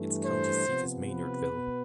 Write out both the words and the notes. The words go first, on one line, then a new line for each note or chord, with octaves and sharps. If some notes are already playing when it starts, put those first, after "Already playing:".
Its county seat is Maynardville.
Already playing: G2 E3 A3
C5
C3 F3 B3
B4
B2 B3